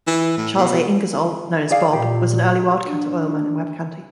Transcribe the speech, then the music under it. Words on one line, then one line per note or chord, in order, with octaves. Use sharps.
Charles A. Ingersoll, known as Bob, was an early wildcatter oilman in Webb County.
E3
A2
B2
G#4 D5 F5
A#2 G4
D4